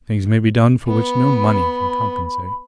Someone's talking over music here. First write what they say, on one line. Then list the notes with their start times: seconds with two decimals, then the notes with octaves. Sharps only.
Things may be done for which no money can compensate.
0.88 B3 B5